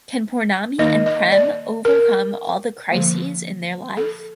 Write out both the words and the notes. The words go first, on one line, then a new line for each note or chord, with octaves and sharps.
Can Pournami and Prem over come all the crises in their life?
D#3 A#3 D#4 D#5
D#5
D5
A#4
D3 F3 A#3
A4